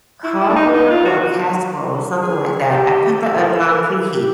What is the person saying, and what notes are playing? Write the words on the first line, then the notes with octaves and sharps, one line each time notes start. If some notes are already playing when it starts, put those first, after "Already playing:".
cobbler, or a casserole, or something like that, I put the oven on preheat.
E4
E4
D4
D#4
D#4
F4
F#4
G#4
G4
A4
A#4
A4
A#4
A#4
G#4
G4